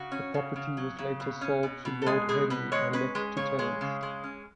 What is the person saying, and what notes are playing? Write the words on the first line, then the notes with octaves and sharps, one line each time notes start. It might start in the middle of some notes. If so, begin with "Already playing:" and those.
The property was later sold to Lord Henley and let to tenants.
Already playing: C#3 F#4
C#4
C#3
C#3
F#3
C#3
B2
C#4
B2
B2
A4
G#3 G#4
B2 G#4
B2 B4
G#3 C#5
C#4 B4
G#3
C#3 C#5
G#3
C#3
G#3
C#4